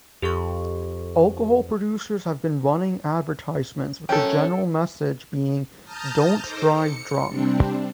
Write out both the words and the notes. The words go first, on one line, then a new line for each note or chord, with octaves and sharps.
Alcohol producers have been running advertisements with the general message being "don't drive drunk".
F2 G4 A4 C#6
F#2 C#4 A4 G5
A5 A#5 D#6 F6 G6
D#4 A4 C5 A#5 D6
C#7
C3 G3 C4 D4